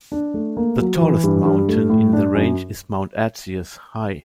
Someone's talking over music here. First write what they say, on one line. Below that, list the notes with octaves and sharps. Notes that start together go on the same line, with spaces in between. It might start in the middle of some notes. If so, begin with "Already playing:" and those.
The tallest mountain in the range is Mount Erciyes, high.
D4
A3
A#3
F#3
E3
G2
G2
A3
A2
D4
F#2